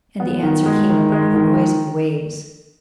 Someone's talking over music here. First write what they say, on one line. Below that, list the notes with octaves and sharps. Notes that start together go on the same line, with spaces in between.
And the answer came above the noise of the waves.
B3
D#3
G#3
D#3
G#3
D#3